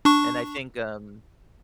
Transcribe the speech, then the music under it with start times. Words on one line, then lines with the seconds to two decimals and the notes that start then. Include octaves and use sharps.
And I think, um
0.05 D4 C#6